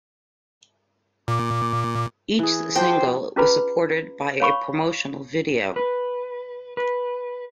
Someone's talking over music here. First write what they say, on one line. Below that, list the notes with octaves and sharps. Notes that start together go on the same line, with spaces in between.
Each single was supported by a promotional video.
A#2 D6
E3 G#4
F3 D4 F#4 C5 G5
C#4 F4 G#4 B4 A#5 B5
C#5 F5 B5 C#6
B4
B4